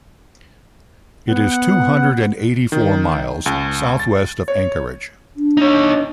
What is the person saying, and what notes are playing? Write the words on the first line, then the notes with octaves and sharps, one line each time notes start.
It is two hundred and eighty-four miles southwest of Anchorage.
B3 F#5
D#3
C#2
A6
C#5
D4
D#4 C#5